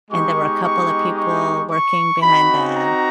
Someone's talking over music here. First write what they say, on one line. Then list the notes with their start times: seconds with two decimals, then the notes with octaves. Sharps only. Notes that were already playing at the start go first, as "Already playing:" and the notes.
and there were a couple of people working behind the
0.10 G#3 B3 D#4 G4 C#6
0.63 C#6
1.17 C#6
1.69 C#6
2.22 C4 D#4 F#4 B5
2.75 A#5